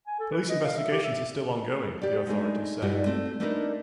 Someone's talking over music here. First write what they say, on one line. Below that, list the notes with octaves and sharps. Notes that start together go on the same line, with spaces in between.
Police investigations are still ongoing, the authorities said.
G#5
A4
B4
D#5
F5
E5
G4
E5
G4 D5
G#3 A3 D4 D#4 G#4
G2 A#2 G3 D#4 E4 F#4
A3 C4
A3 A#3 D4 D#4 A#4 B4